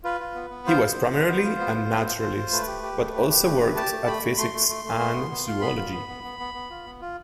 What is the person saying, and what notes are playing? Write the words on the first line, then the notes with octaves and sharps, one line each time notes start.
He was primarily a naturalist, but also worked at physics and zoology.
F4 B4
F4
B3
B3
F4 C5
B3
B3
B3
B3
F4
B3
F4
B3
F4
F4
F4
A3 B4
G4
G4
A3
G4
G4
A3
G4
G4 A5
A3
A3 B5
A3
A3 C6
A3
A3
A3
B3
B3
B3
F4
B3 B5
F4
B3
B3
B3
B3
B3
F4
B3
F4